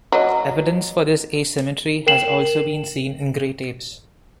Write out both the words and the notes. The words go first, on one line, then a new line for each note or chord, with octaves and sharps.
Evidence for this asymmetry has also been seen in great apes.
F#3 D#5
A#4 G5 C7 E7 F#7